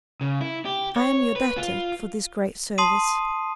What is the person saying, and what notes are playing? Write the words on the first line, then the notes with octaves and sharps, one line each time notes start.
'I am your debtor for this great service.'
C#3
E4
G4
C#5
B4
F4
A5 C6 D#6 C7 D#7